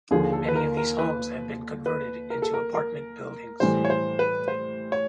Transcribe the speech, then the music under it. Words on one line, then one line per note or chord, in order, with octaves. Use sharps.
Many of these homes have been converted into apartment buildings.
D#2 D3 F3 G#4
A4
B4
A#4
A#4
B4
B4
A#4
A4
A#4
A#4
A2 E3 G3 C5
C#5
C5
B4
C5
C#5